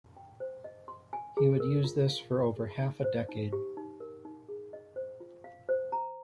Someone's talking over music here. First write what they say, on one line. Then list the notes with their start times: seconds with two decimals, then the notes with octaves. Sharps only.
He would use this for over half a decade.
0.17 G5
0.40 C5
0.64 D#5
0.88 C6
1.13 G#5
1.37 G#4
1.60 A#4
1.84 F4
2.08 F5
2.32 F4
2.56 G#4
2.80 D#4
3.04 C5
3.29 D#4
3.53 G4
3.77 D#4
4.00 A#4
4.25 D#4
4.49 G#4
4.73 D#5
4.96 C5
5.20 F4
5.44 F5
5.69 C5
5.92 A#5